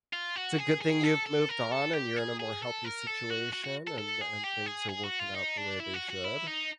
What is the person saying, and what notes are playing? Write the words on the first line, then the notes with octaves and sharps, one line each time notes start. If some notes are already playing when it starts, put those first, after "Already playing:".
it's a good thing you've moved on and you're in a more healthy situation and and things are working out the way they should.
F4
F#4
G#4
G#4
A4
A4
A#4
A4
G4
G#4
G#4
A4
A#4
A4
F#4
F#4
F#4
A4
A4
G#4
G4
G#4
G#4
F#4
F4
D#4
D4
E4
F#4
F#4
E4
D#4